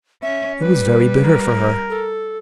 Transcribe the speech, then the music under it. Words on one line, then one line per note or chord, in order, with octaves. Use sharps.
It was very bitter for her.
C#4 E5
G3 B4
A#4
A4